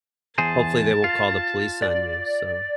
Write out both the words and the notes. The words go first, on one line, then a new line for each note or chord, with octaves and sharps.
hopefully they won't call the police on you, so
E2 G#4 C5 A5
F4
D5